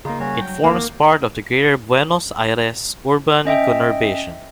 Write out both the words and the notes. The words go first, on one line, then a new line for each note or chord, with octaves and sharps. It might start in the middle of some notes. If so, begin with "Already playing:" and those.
It forms part of the Greater Buenos Aires urban conurbation.
F#1 C#3 A#3 D#4 F4
G3 C#4 F#4 C#5
F#3 G5
G#1 D#2 A#3 F#4 G4
C#4 D#5 E5 G5